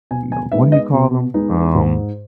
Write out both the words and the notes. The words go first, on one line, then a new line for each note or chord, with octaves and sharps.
you know, what do you call them, um
B2 G#5
G#5
G#3 B3 D#4 E5
D#5
B2
G#3 B3 D#4
G#2